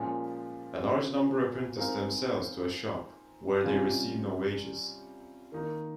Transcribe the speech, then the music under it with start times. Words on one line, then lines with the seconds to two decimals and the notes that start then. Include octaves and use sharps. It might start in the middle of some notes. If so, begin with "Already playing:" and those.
A large number apprentice themselves to a shop, where they receive no wages.
Already playing: A#2 F3 G#3 C#4
1.76 G#3 C4 D#4 A#4 F5
3.64 C3 G3 C#4 F4
5.52 D#3 A#3 D#4